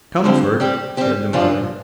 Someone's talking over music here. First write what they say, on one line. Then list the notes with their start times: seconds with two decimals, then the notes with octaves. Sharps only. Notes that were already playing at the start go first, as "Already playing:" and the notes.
"Comfort!" said the mother.
0.24 D3 F3 C4 G4
0.60 G3 C4 G4
0.97 G3 C4 G4
1.33 A#2 F3 D4 F4